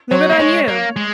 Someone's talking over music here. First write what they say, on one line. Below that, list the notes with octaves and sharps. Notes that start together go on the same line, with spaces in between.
No, good on you.
F#3 C#5
A#3
G#3 C#5
A#3
G#3